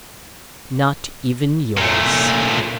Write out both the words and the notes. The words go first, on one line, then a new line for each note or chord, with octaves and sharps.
"Not even yours."
A#2 A3